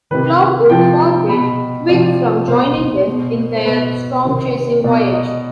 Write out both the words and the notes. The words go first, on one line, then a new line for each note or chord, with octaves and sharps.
Cloud Wolf forbade Twig from joining them in their stormchasing voyage.
C3 D#3 B4
C3 F3 G5
B2 B5
C3 F3 D5
B2 C5
B2
C5
B2 B4
C3 D#3 C5
B2 D5
D#5